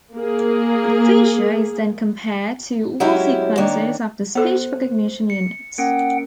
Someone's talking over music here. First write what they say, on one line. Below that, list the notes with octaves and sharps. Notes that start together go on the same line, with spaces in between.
The feature is then compared to all sequences of the speech recognition units.
A#3 G#4
F#3 G#3 C#4 E4 G4
D#3 A#3 D4 C#5
B3 A4 C5
C#7
A#3 C#4 A#4 F#5 G5